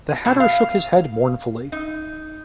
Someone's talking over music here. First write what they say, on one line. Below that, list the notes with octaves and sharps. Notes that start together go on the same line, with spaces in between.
The Hatter shook his head mournfully.
B2
F5
D#4